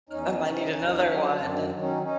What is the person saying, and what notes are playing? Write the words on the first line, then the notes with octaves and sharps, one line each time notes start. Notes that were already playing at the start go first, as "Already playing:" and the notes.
I might need another one then."
E2 C#4 D#4
C3 E3
D#2
D3 F#3
F#2 C4 D4
D#3 F#3
C#4 D#4
C#4 D#4